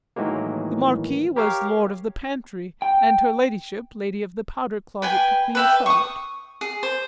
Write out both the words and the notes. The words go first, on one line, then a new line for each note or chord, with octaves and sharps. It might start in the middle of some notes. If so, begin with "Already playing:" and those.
The Marquis was Lord of the Pantry, and her Ladyship, Lady of the Powder Closet to Queen Charlotte.
A2 D#3 E3 F#3 G#3 A#3
G4 A#4 C#5 F5
G5
B4 G5 G#5
B4 E5 G5
C#6 D#6
G#4
C5